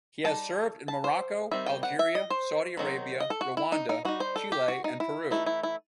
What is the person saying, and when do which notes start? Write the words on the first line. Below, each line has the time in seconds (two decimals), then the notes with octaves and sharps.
He has served in Morocco, Algeria, Saudi Arabia, Rwanda, Chile and Peru.
0.24 G3 D#4 A5
0.88 A5
1.04 C5
1.51 D#3 G3 C4 E5
1.66 G5
1.83 F#5
1.99 E5
2.15 D#5
2.30 C5
2.77 D#3 F#3 C4 D#4
3.20 D#5
3.30 A4
3.41 F#4
3.57 E4
3.72 D#4
3.89 D#4
4.05 G3 D#4 F#4
4.20 C5
4.36 A4
4.52 G4
4.68 F#4
4.84 D#4
5.00 E4
5.31 E3 A3 D#4 E4
5.46 E4
5.63 E4